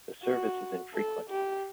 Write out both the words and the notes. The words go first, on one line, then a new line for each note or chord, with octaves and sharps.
The service is infrequent.
F#4
A4
G4